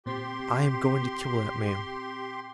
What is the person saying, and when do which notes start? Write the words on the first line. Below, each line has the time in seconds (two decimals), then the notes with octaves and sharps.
I am going to kill that man.
0.06 A#2 C4 G4 C6